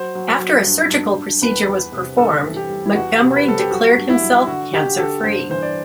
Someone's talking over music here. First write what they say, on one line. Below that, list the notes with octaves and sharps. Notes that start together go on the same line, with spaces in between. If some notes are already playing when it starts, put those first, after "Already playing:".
After a surgical procedure was performed, Montgomery declared himself cancer-free.
Already playing: F#3 C5
F#3
F#3
G2
G2
G2
E2 B4
E2
C3
G2 A4
E3
G4
G3
E4
E2 F#4
C3
B4
G3 A4
G4
F#3 F#4
G2
E4
F#3
D3 F#4
D3 G4
D3 A4
G2 C5
E3 C5
D5